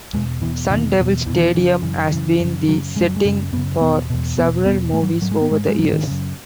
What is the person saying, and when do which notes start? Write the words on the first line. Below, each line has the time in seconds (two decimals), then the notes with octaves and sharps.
Sun Devil Stadium has been the setting for several movies over the years.
0.13 E2 B2 G#3
0.42 E2 B2 E3
0.70 E2 B2 D#3
0.99 E2 B2
1.26 E2 E3
1.29 B2 D#3
1.44 E3
1.54 F#2 E3
1.59 C#3
1.82 F#2 C#3 E3
2.11 F#2 C#3 E3
2.40 F#2 C#3
2.68 F#2 C#3 F#3
2.96 F#2 C#3 G#3
3.07 F#3
3.16 G#3
3.25 F#2 C#3
3.52 F#2 B3
3.57 C#3
3.80 E2 B2 B3
4.10 E2 B2
4.37 E2 B2 B3
4.66 E2 B2 B3
4.94 G#2 A3
5.03 F#3
5.22 G#2 F#3
5.31 G#3
5.41 B3
5.51 G#2 G#3
5.69 G#3
5.79 G#2 F#3
5.93 D#3
6.07 F#2 C#3